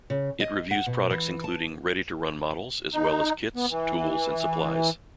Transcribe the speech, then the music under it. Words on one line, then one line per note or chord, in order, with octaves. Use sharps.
It reviews products including ready-to-run models as well as kits, tools and supplies.
C#3
D#5
F#5
B2
E3
A5
D#4
B3
E3